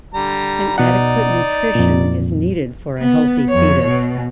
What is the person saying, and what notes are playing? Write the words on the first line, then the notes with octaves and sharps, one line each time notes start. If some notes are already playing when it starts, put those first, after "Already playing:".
An adequate nutrition is needed for a healthy fetus.
D3 G3 A#5
B2 D#4 D5 F#5
F2 A#2
B3
F2 C#5
B2